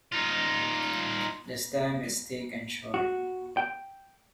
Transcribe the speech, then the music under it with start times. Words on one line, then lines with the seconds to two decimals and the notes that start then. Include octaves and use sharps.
The stem is thick and short.
0.12 D#4 F4
2.94 F#4
3.57 G5